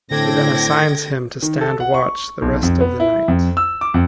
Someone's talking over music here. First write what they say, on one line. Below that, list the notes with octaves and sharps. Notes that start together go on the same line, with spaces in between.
She then assigns him to stand watch the rest of the night.
A2 D3 C4 D4 A4 G5 G#6 A#6
D#3
A4
F#5
C#6
B1
F2
B3
E4
F2
E6
D6
F2